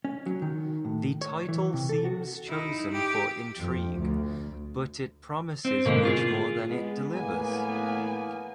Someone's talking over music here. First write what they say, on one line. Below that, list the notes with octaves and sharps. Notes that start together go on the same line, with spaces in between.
The title seems chosen for intrigue, but it promises much more than it delivers.
C#4
F#3
D#3
A2
C#5
E3
C3
A4
F#4
D#4 E4
G4
F2
D2
C4
G#2 B2 D3 A#3
F4 G#4
G#3 B3
A2 A#3 B3 G#5